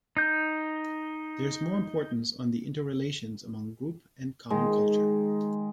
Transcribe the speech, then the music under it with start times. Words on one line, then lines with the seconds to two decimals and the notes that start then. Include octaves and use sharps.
There is more importance on the interrelations among group and common culture.
0.17 D#4 G6
4.50 D#3 G#3